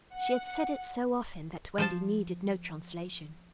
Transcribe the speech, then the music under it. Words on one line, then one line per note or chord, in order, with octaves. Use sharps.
She had said it so often that Wendy needed no translation.
F#5
F3 C5 A5